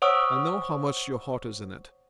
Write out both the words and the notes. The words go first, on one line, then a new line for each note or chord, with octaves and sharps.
I know how much your heart is in it.
C5 C#5 F#5 C#6 D#6 E6